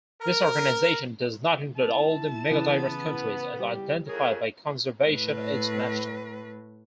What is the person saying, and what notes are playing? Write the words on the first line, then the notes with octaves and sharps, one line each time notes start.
This organization does not include all the megadiverse countries as identified by Conservation International.
A#4
E4 A5
C#3 E3 B3
G3 G4
F2 G#4 A#4 C#5
A2 B4